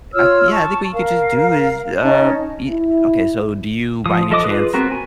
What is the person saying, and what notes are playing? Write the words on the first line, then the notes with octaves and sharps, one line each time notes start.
Uh, yeah, I think what you could just do is, uh, ye okay, so do you, by any chance,
F4 C#5 E6 F6
A5 C#6
A#4 F5
C#4 D#4 D#5 A5
E4
F3 D#6
F3 A4 D#5 D6 D#6
F4 G#4 B4
B3 C4 F#4 A#4
G#5